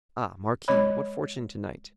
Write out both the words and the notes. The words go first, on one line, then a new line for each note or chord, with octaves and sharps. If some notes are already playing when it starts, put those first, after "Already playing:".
"Ah! marquis, what fortune to-night?"
G#3 C#5 D#5 B5